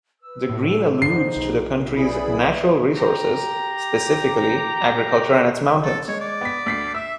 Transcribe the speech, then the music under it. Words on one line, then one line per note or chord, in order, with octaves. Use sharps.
The green alludes to the country's natural resources - specifically agriculture and its mountains.
B4 E6
A2
D3 D#4 G#4 C5 C7
B1
E4 G#4 B4 D5 E5 B5
G4 A#5
A4
G#3 C#5
D5
B3 B6
D2 B6 C7
E5 E6